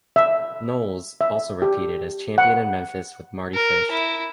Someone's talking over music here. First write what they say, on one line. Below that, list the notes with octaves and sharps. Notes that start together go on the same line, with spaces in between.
Knowles also repeated as champion in Memphis with Mardy Fish.
E5
E5
G4
F#5
A#4
E4